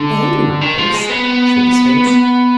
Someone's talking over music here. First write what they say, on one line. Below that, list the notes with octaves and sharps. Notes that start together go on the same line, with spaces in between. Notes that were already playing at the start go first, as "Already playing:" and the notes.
"They do not think so," said the Sphinx.
Already playing: D3
D#3
F3
G#3
B3
B3